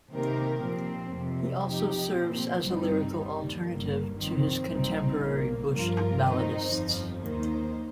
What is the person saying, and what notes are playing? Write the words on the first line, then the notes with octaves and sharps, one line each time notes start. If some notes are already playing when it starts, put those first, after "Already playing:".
He also serves as a lyrical alternative to his contemporary bush balladists.
C3 D#3 A#3 G4 A#4
A#2 F3 C4
F2 C3 F3
F2 F3 D#4 G4
A#2 F3 C4
G1 G2 G3 C4 D#4
D#2 D#3 G3
G1 G2 G3 A#3
F2 D#3 C4
A#1 A#2 G3 C4 D#4
A#1 A#2 A#3
G2 F3 A#3 F4 A#4
D#3 C4 D#4 C5
G1 F2 F3
D#2 D#3 A#3 D#4 C5